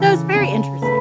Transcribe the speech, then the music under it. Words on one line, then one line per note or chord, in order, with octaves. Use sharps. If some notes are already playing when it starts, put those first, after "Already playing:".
So, it's very interesting.
Already playing: C#3 E3 A4
C#3
A3 B4